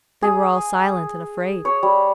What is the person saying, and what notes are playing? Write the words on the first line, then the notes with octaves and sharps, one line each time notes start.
They were all silent and afraid.
G#4
C#5
G3